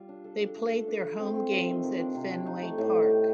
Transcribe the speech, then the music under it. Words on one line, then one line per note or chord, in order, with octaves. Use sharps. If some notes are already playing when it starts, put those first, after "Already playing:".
They played their home games at Fenway Park.
Already playing: G3 F4
D4
A4
D4
A3
A4
D4
A3
C4
C4
F4
D#3
D#3
D4
C3
D4
D#4
A3
A2
D#4
G4